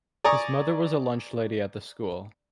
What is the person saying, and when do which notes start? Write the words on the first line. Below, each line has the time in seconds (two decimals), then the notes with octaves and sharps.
His mother was a lunch lady at the school.
0.24 D5 G#5 A#5 C#6 D#6